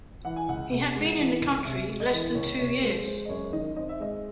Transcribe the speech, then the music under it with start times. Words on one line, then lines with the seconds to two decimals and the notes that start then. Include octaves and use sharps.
He had been in the country less than two years.
0.25 E3 F#5
0.36 G#5
0.49 C#2 F#5
0.72 C3
0.96 G#3
1.18 E3
1.42 C#2
1.65 C3 E5
1.89 G#3
2.00 D#5
2.13 E3
2.35 C#2 C#5
2.59 C3 C#5
2.82 G#3 C5
3.06 G#3 C5
3.25 D#5
3.29 F#2 C#5
3.53 D#3 D#5
3.76 C4 D#5
3.89 E5
4.00 G#3 D#5